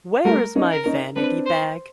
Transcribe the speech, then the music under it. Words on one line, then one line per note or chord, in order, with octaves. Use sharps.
Where is my vanity bag?
G3 A3 A#4
C#4 D#4
A#4
C#4 D#4
C4 D4 B4
C5